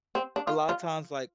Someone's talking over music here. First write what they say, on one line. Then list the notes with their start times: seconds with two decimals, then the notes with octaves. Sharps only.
a lotta times, like,
0.15 C4
0.36 D4
0.47 F4
0.69 F4